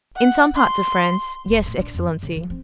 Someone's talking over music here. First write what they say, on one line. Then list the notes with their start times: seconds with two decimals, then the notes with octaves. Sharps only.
"In some parts of France--yes, excellency."
0.16 F#5
0.55 C6
1.47 E1
1.66 A2
1.79 D4
1.95 F2
2.08 G2
2.23 C#3
2.36 F3
2.50 C4